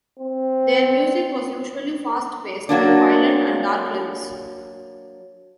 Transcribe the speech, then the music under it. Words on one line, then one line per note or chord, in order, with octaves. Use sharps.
Their music was usually fast-paced with violent and dark lyrics.
C4
F#3 A#3 D4